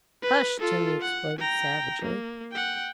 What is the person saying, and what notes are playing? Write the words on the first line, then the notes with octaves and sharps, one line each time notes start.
"Hush!" Toomey exploded savagely.
B4
F4 A4
F#5
G5 A#5
A#3
F#5 G5